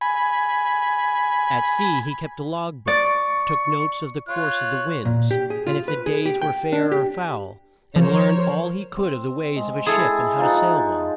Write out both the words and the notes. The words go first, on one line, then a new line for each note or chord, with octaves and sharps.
At sea he kept a log-book, took notes of the course of the winds, and if the days were fair or foul, and learned all he could of the ways of a ship and how to sail one.
G#5 B5
D5 C#6
F4 C#5 F#6
A#2
G4
G#4
F4
B4
G#4
G4
G5
D4
G4
F3 A#4 C5 C#5
C4
G#3
E4 G#4 A4 G#5 B5
F3 D#4 F#5